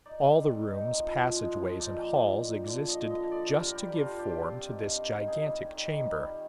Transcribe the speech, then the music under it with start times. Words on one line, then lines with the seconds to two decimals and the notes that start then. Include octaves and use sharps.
All the rooms, passageways and halls existed just to give form to this gigantic chamber.
0.06 D#4 D5
0.27 C4
0.49 D#3
0.71 D#4
0.93 F3
1.15 F3
1.36 G#3
1.58 F3
1.80 D#4 D5
2.01 A#2
2.24 A#2
2.45 A#2
2.66 D3 D5
2.88 F3 D#5
3.10 D3 D#5
3.32 D3 D5
3.53 G2 A#4
3.75 G3 G4
3.97 G2 F4
4.19 G2 G4
4.40 C4
4.62 D#3
4.84 D#3
5.05 D#3
5.27 D#4 G#4
5.49 G3
5.71 D#3
5.93 D#3
6.14 G3